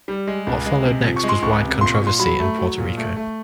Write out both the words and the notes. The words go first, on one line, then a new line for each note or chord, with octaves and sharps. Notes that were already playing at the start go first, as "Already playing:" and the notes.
What followed next was wide controversy in Puerto Rico.
G3
G#3
C#2
G#3
C3
F3
C#6
G#3
C6
C#2 C#6
C3
A#2 C6
C#6
A#2
C6
F#3 B5
A3
F#3
A#2
A3
A3